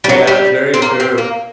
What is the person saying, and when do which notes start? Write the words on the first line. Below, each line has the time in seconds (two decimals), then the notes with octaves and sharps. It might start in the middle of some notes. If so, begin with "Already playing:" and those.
Yeah, it's very true.
0.04 G3
0.09 F#3
0.27 G3
0.74 C4
0.82 A#3
1.00 C4
1.18 A#3